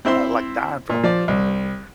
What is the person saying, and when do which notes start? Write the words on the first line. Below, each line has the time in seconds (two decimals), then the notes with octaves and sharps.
uh like dying from it or whatever.
0.05 C4 E4 C5 C6
0.90 A#2
1.04 F3 D5
1.28 C2